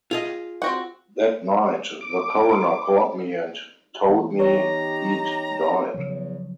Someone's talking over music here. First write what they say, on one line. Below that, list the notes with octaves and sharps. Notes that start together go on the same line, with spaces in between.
That "night" the coroner called me and told me he'd died.
F4 G#4 D#5
C4 F#4 F#5
D6
E3 B3
D#4 G4 C#5 A#5
E2 C#3 F3 F#3